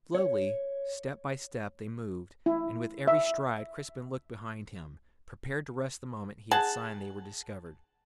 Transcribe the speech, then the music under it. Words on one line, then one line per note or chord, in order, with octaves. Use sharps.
Slowly, step by step, they moved, and with every stride Crispin looked behind him, prepared to rush the moment he had sign they were discovered.
C#5
E4
E5
G#4 F#5 A5